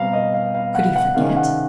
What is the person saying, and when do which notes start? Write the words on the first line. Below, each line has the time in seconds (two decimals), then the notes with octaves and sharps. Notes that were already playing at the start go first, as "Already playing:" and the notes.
Could he forget?
Already playing: B2 G3 C4 F5 A#5
0.13 D#5
0.34 F5
0.54 F5
0.75 F#5
0.96 F#5
1.15 C3 D#3 G#3 C#4 F5
1.36 F#5